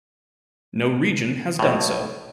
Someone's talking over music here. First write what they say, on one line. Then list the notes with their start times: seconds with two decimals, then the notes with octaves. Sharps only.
No region has done so.
1.59 B1 A2